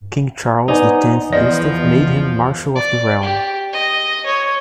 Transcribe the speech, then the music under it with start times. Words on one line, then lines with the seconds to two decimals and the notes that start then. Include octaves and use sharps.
King Charles the Tenth Gustav made him Marshal of the Realm.
0.68 B3 D#4 C5 D5 G#5
1.33 E2 F3 D5 D#5
2.75 D5
3.22 G4
3.72 D#5
4.25 C#5